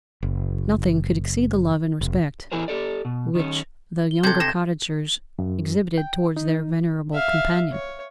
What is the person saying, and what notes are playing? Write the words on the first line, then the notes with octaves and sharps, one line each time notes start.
Nothing could exceed the love and respect which the younger cottagers exhibited towards their venerable companion.
F#1
F1
E3 E4 G#4 A#4 C5
G4 A4 D5
B2
D#3 C#4
G7
C3 A4 G6 G#6
C3 A#6 E7
F#2
G5
D#4
E5 F5
C#5